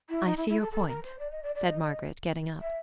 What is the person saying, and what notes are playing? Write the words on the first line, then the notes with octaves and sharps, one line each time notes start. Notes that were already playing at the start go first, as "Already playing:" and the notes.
"I see your point," said Margaret, getting up.
E4
D#4
E4
E4
A4
A4
A#4
C5
D5
D#5
D5
D5
D#5
D#5
E5